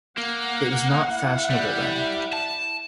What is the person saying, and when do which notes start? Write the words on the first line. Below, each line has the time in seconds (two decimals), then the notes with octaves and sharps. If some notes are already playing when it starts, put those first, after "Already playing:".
It was not fashionable then.
0.18 A#3 F#5
1.10 E4 E5
1.50 G3
2.33 A5